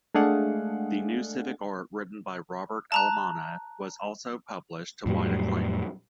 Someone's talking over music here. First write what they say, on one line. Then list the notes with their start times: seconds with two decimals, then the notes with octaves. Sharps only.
The New Civic Art, written with Robert Alminana, was also published to wide acclaim.
0.14 G#3 A3 D4 G#4 F5 F#5
2.92 A5 A#5 F#6
5.06 F2 A2 F#3 G3